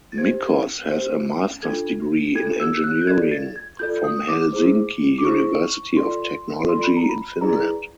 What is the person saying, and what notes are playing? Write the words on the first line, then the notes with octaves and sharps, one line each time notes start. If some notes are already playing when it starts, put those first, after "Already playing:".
Mickos has a master's degree in Engineering from Helsinki University of Technology in Finland.
A6
G4 C5 G#6
G4 C5
D4 F4 A4 G#6
D4 F4 A4 G#6
E6
F#6
G6
F4 A4 D5 G#6
A6
G#6
F4 A4 D5 G6
D#6
D6
E4 G#4 C5
D6
E4 G#4 C5 C#6
F4 A4 D5 C6
F4 A4 D5 C6
B5
A#5
B5
E4 G#4 B4 D5 A#5